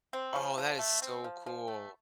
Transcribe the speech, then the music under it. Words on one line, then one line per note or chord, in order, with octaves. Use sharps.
Oh, that is so cool.
C4
F3
F3
A3
C4
F3
F3
A3